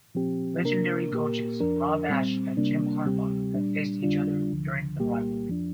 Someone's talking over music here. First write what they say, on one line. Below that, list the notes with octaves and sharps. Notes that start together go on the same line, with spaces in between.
Legendary coaches Rob Ash and Jim Harbaugh have faced each other during the rivalry.
A#2 F3 C4 G4
C3 A#3 D4 A#4
A#2 A#3 G4 A#4
F2 F3 D4 A#4
A#2 G3 C4
C3 G3 A#3 D4
D2 C3 G3 C4 G4
A#2 G3 D4
F2 D3 G3 D4 F4
D2 D3 F3
C2 A#2 G3 A#3 G4
F2 F3 D4